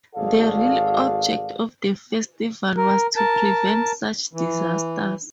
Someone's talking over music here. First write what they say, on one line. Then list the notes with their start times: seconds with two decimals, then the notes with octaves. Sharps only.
The real object of the festival was to prevent such disasters.
0.15 G#1 F#4 G#4 A4 D5 F5
2.77 A#4
3.16 A#4 A5
4.33 E3